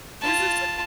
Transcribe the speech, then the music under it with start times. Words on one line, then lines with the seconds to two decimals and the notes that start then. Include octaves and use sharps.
This is
0.21 F4 A5